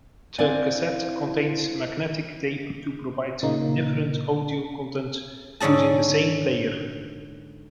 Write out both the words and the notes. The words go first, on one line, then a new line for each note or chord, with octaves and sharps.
The cassette contains magnetic tape to provide different audio content using the same player.
C4 E4 D5 F5 G#5
A#2 C#3 A#3 D#4
G#2 D3 C#4 G#4 A5